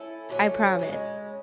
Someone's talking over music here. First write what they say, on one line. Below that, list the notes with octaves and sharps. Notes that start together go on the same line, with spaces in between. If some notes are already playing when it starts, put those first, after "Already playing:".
I promise.
Already playing: A3 C#4 E4 A4
D3 F#3 A3 C#4
C#3 F3 G#3